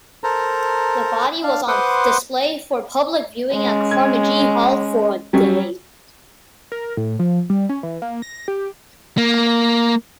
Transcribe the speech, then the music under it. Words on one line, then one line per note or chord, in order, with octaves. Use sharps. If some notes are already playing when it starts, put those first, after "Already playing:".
The body was on display for public viewing at Karimjee Hall for a day.
A4 A#4 C5 A#5
D4 F5
B4 C5 F#5 C6 D6 D#6
G#3 C#4
G#6
F#3 G3 C#4
A#4
A2
F3
G3
C#4
E3
A#3
A#6
G4
A#3